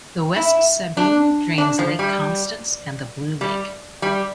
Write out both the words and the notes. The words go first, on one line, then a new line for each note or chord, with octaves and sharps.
The West Sabine drains Lake Constance and the Blue Lake.
E4
D4
D4
F3
G3
G3
G3